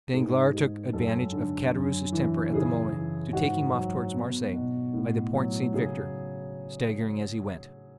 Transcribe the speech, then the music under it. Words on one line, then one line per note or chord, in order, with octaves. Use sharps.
Danglars took advantage of Caderousse's temper at the moment, to take him off towards Marseilles by the Porte Saint-Victor, staggering as he went.
G#2 G#4
G#3
F#2 A4
D3
F#2
E3
C#3 G#4
E3
G#2 F#4
F#3
B3
B2
A2
F#3
C#3 G#4